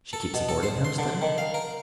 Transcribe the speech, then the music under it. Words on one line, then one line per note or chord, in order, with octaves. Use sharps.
"She keeps a boarding-house, then?"
A4
B2
A4
C5
C6
D3
D#3
F5
A#4